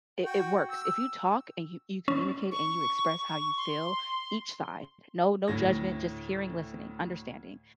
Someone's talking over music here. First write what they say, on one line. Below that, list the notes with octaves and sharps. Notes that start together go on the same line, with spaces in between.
it it works, if you talk and y you communicate and you express how you feel, each side, no no judgment, just hearing, listening, understanding,
F#4 G5
E6
C#4
C#6
C#6
C6
D2 A2 A#6